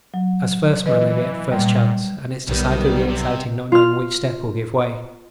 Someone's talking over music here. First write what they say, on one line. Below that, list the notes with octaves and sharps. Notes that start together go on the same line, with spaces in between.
As first man I get first chance, and it's decidedly exciting not knowing which step will give way.
F#3
E3 B4 D#5
A#2 G3
B1 D#3 G3 B3
C3
F4 F6